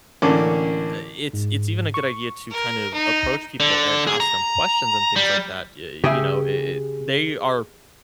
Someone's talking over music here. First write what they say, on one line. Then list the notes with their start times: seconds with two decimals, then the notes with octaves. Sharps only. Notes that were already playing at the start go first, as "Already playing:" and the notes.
uh, it's it's even a good idea to kind of approach people and ask them questions and things like that, ya uh, you know, i it they are
0.22 A1 D3 A#3 C#4 D6
1.33 G#2
1.94 C#6
2.51 A#4
2.94 D#4
3.60 D3
4.07 G#4
4.20 A#5
5.16 G3
6.04 C#3 G4 G#4 E5